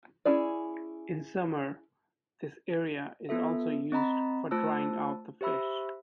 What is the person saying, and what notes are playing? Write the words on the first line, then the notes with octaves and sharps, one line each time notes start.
In summer, this area is also used for drying out the fish.
C#4 E4 G#4 D5
B3 F4 A4 E5
C4 D#5 A#5 B5
A3 F4 C5 A5 E6
G4 C5 E5 B5 E6